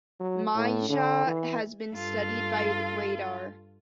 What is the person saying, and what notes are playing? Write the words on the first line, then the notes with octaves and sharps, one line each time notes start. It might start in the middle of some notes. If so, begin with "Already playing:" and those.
Maja has been studied by radar.
F#3
A2
D3
E3
G2 F4 A4